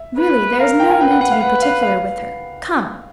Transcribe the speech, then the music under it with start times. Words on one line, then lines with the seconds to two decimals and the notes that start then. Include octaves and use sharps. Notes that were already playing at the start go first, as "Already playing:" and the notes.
"Really, there is no need to be particular with her; come."
Already playing: E5
0.18 B4
0.59 A#4 F5
0.80 G5
0.90 G#5
1.01 B4 G5
1.11 F#5
1.21 F#5
1.32 F5
1.41 B4 F#5
1.62 F5
1.82 F5